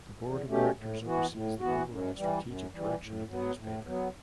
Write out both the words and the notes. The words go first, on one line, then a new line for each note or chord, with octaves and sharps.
The Board of Directors oversees the overall strategic direction of the newspaper.
E2
B2 A3 C#4 G4
A2
E3 B3 F#4
A2
E3 B3 F#4
F#2
E3 G3
F#2
E3 G3
A2
F#3 B3
A2
F#3 B3